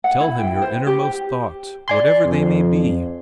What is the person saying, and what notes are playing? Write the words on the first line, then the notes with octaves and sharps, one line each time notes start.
'Tell him your innermost thoughts, whatever they may be.
F#5
E4
G5
C5
G4
D5 G#5 C6
F2